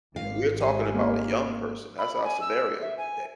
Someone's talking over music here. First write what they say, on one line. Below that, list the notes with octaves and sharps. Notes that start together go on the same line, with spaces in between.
you know, we're talking about a young person, that's our scenario of the day.
G#1 F5
G4 G#5
A#3
B5
G#5
E6
E5
G#5